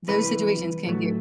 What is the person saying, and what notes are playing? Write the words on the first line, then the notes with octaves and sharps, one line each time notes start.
Those situations can get
E2 C3 E3 G3 B4
A2 F#3 A3